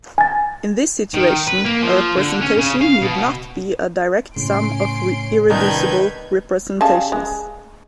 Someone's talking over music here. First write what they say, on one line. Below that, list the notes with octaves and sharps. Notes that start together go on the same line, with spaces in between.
In this situation, a representation need not be a direct sum of irreducible representations.
G#5 A6
D#3
B4
A#3
F3
D3
C#4
C#3
F5
B2
A2 C#3 C#4 C6 D7
C2 D#3 D4 D#4 B4 G6 G#6
C#3 G3 A5
G#3